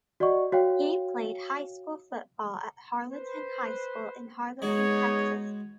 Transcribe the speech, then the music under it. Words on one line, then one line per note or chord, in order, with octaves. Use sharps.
He played high school football at Harleton High School in Harleton, Texas.
F#4 D5 D#5 F#5 C#6
F#4 C#5 F5 G5
B4 C5
G#3 B3 D#4 F#4 G#4 C#5